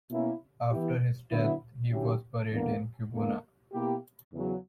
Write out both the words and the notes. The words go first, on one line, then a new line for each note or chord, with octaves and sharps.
After his death, he was buried in Kubuna.
B2 A#3 C#4 E4
E3 B3 E4 G4
D3 F#3 B3 E4
D3 F#3 C#4 E4 G4
E2 D3 A#3
E2 D3 A#3
B2 A#3 E4 G4
E2 C#3 F#3